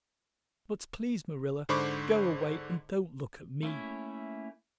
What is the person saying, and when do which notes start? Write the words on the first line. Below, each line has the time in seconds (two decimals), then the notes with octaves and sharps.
But please, Marilla, go away and don't look at me.
1.69 G#2 D3 C5 B5 C#6 D6
3.63 A3 A#3 C#4 E4